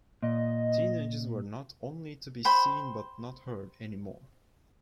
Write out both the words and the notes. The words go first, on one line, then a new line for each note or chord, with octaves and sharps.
Teenagers were not "only to be seen but not heard" anymore.
A#2 D#5
C5 G5 B5